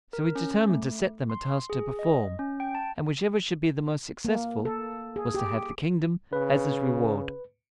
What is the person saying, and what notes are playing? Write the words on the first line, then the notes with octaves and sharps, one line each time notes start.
So he determined to set them a task to perform, and whichever should be the most successful was to have the kingdom as his reward.
A#4
C#4
A3
C6
G#4
D#5
C#4
G5
A5
A#3
A4
G#4
G4
C#3 B4